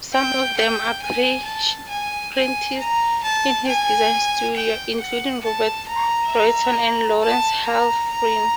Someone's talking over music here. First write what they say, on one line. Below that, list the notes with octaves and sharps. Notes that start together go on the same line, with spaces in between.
Some of them apprenticed in his design studio, including Robert Royston and Lawrence Halprin.
G5
G5
G#5
A5
G#5
G#5
A#5
A5
G#5
G5
F#5
A5
A#5
A#5
A5
A#5
A#5